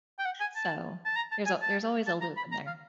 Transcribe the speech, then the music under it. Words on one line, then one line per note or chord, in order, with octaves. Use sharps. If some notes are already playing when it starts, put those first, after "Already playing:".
So, there's a there's always a loop in there.
G5
F#5
G#5
A5
A5
A#5
A5
G#5
A5
A5
A#5
B5
A#5
F5